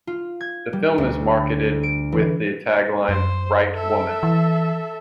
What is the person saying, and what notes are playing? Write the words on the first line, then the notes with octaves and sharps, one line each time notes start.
The film is marketed with the tagline: Right woman.
F4
G#6
G3
D2
D7
E3
F#2 C5
A4 E5
E3